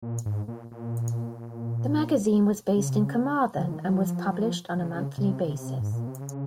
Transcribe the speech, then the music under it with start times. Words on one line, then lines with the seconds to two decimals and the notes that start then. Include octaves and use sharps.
The magazine was based in Carmarthen and was published on a monthly basis.
0.02 A#2
0.26 G#2
0.48 A#2
0.71 A#2
2.77 C#3
2.90 C3
3.03 C#3
3.59 F3
3.72 D#3
3.85 F3
4.78 D#3
4.83 C#3
5.18 C3
5.80 G#2
5.93 A#2
6.07 C3
6.21 C#3